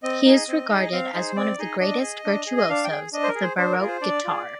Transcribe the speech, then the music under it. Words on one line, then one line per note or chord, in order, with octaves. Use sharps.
He is regarded as one of the greatest virtuosos of the Baroque guitar.
C4 D#5
D#4 G#4
C4
D#4 G#4
C4 F5
D#4 G#4 C5
C4 D5
D#4 G#4 D#5
D4 D#5
G#4
D4
G#4
D#5
D4 F5
G5
G#4
D4 D#5
C5
A#4
G#4
C5
D4 C5
A#4
F4 G#4
C5
D4 D5
F4 G#4